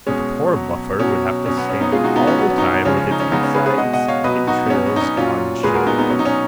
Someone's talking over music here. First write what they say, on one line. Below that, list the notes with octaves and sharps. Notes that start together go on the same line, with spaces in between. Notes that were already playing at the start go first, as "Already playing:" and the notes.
But the poor buffer would have to stand all the time with his insides entrails on show.
B2 G#3 C#4
B2 F#3
B2 F#3 C#4
B2 F#3 C#4
B3
C#4
B3 D#4
B2 G#3 F4 G#4
D#4 F#4
B3 D#4
C#4
B2 F#3 B3
C#4
D#4
C#4
B3
C#3 F3 G#3 C#4
C#4
D#4
C#4
C#3 G#3 B3 D#4
C#4
G#4 B4
G#4 B4
B2 G#3 D#5 F#5
D#5 F#5
C#5 F5
B2 F#3 B4 D#5
D#4 F#4
B3
B2 F#3 C#4
B3
D#4
C#4
A#2 F#3 C#4 F4
A#2 G#3 G#4 B4
F#4 A#4
B3 D#4
B3 D#4
B2 F#3 C#4
D#4
C#4